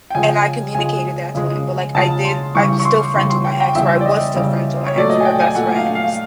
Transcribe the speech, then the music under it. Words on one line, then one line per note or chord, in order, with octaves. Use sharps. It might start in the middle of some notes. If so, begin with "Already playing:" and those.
and I communicated that to him. But, like, I did I'm still friends with my ex, or, I was still friends with my ex, we were best friends.
G5
C#3 F3 G#3 G#5
C#3 F3 G#3 G#5
C#3 F3 G#3
C#3 F3 G#3 A5
C6
C#3 E3 G3 C#6
C#6
C6
C#3 E3 G3 C6
C6
G5
G5
C#3 E3 G3 E5
D5
D#5
C#3 E3 G3
C5
C#5
A#2 F#3 A3 D5
D#5
G#5
G5
G#5
A#2 F#3 A3 F#5
F5
F5